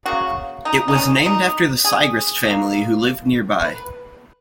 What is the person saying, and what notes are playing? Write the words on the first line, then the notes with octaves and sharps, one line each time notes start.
It was named after the Siegrist family who lived nearby.
C#3 F#3 A#3 F#4
D#4
D#4
C#4
D#4
G#4
B2 A#3
B4